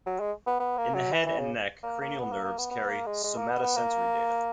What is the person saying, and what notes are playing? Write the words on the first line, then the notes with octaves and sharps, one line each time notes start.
In the head and neck, cranial nerves carry somatosensory data.
F#3
G#3
B3
B3
A#3
F#3
E3
E3
C#3
A#3
A#3
B3
A#3
A#3
B3
B3
A#3
G#3
G#3
A#3
B3
B3
A#3